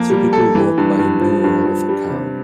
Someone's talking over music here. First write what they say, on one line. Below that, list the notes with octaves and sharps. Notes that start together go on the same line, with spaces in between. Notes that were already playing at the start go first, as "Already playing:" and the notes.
Three people walk by a mural of a cow.
Already playing: F2 A#3
G3
A4
E3
G2
G2
F3
G2
G2
G3
C3